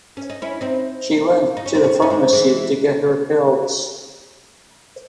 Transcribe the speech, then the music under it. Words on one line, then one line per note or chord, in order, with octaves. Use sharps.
She went to the pharmacy to get her pills.
C#4
D#4
C#4 E4
C4 D#4
D#4
C#4
C4
A3 C#4
C4
C#4
G#3 C4
E3 G#3